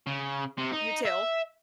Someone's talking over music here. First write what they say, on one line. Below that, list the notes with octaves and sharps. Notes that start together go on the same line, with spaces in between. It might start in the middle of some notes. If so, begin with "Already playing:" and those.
You too.
C#3
C3
D#4
E5